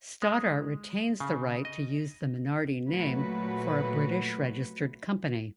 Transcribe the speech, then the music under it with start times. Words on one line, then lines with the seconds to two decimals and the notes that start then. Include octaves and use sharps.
Stoddart retains the right to use the Minardi name for a British-registered company.
0.22 G#3
1.20 C#3
1.65 D#5
2.87 A#2 F#3 A3 F#4 B4